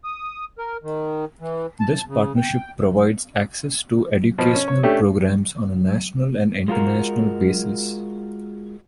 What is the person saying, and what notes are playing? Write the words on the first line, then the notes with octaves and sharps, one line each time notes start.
This partnership provides access to educational programs on a national and international basis.
D#6
A#4
D#3
E3
A5
C#3
G5
B2 F3
C#4
C#5
A3 C#4 D4 G4 A4
G#3 F4 F#4 A#4